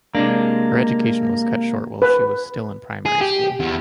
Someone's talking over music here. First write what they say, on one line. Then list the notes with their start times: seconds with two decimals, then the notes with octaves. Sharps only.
Her education was cut short while she was still in primary school.
0.15 C3 G#3 A#3 D4
2.02 B4
3.06 G#4
3.21 G4
3.60 E2